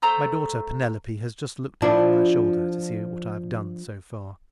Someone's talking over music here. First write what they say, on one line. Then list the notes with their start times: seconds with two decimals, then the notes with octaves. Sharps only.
My daughter Penelope has just looked over my shoulder to see what I have done so far.
0.02 A3 C5 A#5 E6
1.82 F3 D4 E4